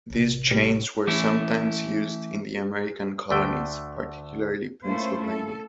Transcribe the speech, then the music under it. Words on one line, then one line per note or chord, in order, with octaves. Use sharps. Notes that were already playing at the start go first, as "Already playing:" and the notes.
These chains were sometimes used in the American colonies, particularly Pennsylvania.
A1 C3
A2 G3
E3 A3 C#4 E4
D2 D3 A3 G5
A3 A#3 C#4 E4 F4 C5
A4